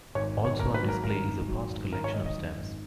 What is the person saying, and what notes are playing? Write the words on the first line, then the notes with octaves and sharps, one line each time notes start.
Also on display is a vast collection of stamps.
G#1 C#5
G#1
C#5
G#1 A#4
B4
F#3
A#4
G#1 A#4
G#1
F#3
G#1
G#1 A#4
C#5
D#3 D#5
D#5
F#2
G#1